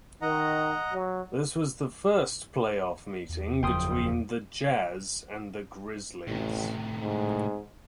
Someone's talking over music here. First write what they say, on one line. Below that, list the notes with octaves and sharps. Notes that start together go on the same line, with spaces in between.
This was the first playoff meeting between the Jazz and the Grizzlies.
D#3 D#5 F#5 A#5
F#3
E2
F#1 F3 G5 C6 D#6
A1 A2 C3
G#2